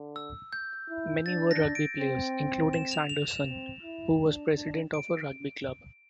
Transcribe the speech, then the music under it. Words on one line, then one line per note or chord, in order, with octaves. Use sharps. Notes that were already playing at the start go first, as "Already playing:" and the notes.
Many were rugby players, including Sanderson, who was president of a rugby club.
Already playing: D3
E6
G6
E4
D4 A6
A#6
D7
C4
E7
F7
F7
E7
C4
E4
D4
D4
D7